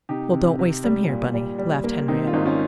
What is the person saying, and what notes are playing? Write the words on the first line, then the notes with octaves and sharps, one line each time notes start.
"Well, don't waste them here, Bunny," laughed Henriette.
C3 D#4 G4
C3
C3
G3
A#2
G3
G3
A#3
D#3 C4 D#4
F4
G#1 C4 D#4
C#4 F4